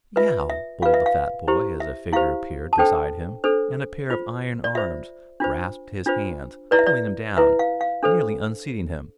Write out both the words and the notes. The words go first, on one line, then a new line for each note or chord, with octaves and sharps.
"Yeow!" bowled the fat boy as a figure appeared beside him and a pair of iron arms grasped his hands pulling him down, nearly unseating him.
F4 B4 E5
E5
F4 B4 F5
E5
F5
E4 G4 C5
E5
E4 G4 C5 F5
A5
D4 A4 C5 G5
D4 A4 C5
F4 C5
D5
F4 C5 E5
D4 F4 C5
D4 F4 C5
E4 B4 D5
E5
D5
E4 B4 E5
F5
F5
D4 A4 C5